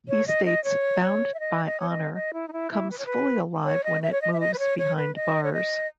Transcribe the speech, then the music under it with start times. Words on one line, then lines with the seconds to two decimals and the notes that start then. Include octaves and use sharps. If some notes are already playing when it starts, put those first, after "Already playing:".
He states "Bound By Honor" comes fully alive when it moves behind bars.
0.09 C#5
0.27 D#5
0.45 D#5
0.64 C#5
1.02 C#5
1.34 E5
1.40 D#5
1.65 D#5
1.80 C#5
1.89 D#5
2.14 D#5
2.34 E4
2.48 D#4
2.53 E4
2.71 E4
2.91 B4
2.98 C#5
3.06 B4
3.65 C#5
3.84 D#5
4.02 E5
4.12 C#5
4.22 D#5
4.33 E5
4.40 D#5
4.54 B4
4.59 C#5
4.78 C#5
4.97 B4
5.15 D#5
5.43 C#5
5.53 D#5